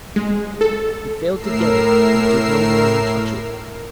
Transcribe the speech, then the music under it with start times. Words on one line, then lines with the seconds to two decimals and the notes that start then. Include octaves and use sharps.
He failed to get it, and did no more than touch it.
0.16 G#3
0.61 A4
1.35 A2 A#4 E6 C7